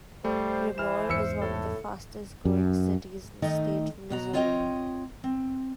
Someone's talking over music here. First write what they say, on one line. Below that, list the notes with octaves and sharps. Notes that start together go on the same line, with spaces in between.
Raymore is one of the fastest growing cities in the state of Missouri.
G3 A3 C5
E3 F6 E7
E2 G#2 E5 E6 C#7
A2 A4
F#2
D#3 A3 D#4 D#5
B2 F#4 A#5
C4 F4 C#5 D#5 F#5 G5
C4